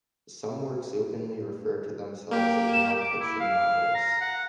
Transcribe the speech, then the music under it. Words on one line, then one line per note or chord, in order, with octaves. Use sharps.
Some works openly refer to themselves as 'nonfiction novels.
A#3 G4
E7
D6
E4
F5
A#5
F#5